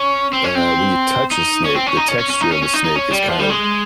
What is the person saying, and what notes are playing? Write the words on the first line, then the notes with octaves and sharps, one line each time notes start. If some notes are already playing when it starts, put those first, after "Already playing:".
uh, when you touch a snake, the texture of a snake is kind of
Already playing: C#4
C4
C#4
C4
D#4
C#4
C4
C#4
D#4
C#4
C#4
C#4
D#4
C#4
C#4
D#4
D#4
C#4
G3
F3
G3
G#3